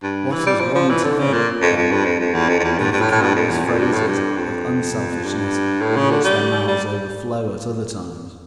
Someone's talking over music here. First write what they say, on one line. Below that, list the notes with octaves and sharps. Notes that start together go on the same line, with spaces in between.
What is one to think, then, of the countless phrases of unselfishness with which their mouths overflow at other times?
G2
E3
G3
F3
F3
E3
D3
C#3
A#2
F2
F2
G2
F2
F2
E2
F2
F2
E2
G2
G2
A2
A2
G2
F2
E2
F2
G2
A2
G2
F2
G2
A2
C#3
D3
G3
G3